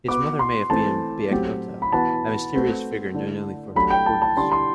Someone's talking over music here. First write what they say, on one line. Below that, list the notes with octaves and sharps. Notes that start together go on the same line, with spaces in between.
His mother may have been Biagota, a mysterious figure known only from her coins.
B3 F#4 B4 D6
C6
E3 A3 C4 A5
A2 F#3 C4 G4
B5
E3 B3 F#4 B4 A5
A3 C4 F#4 B4
D3 A3 E4
F#3 A3 D4 G4 B5
G5
A5
A5
D3 G3 D4 C6
C6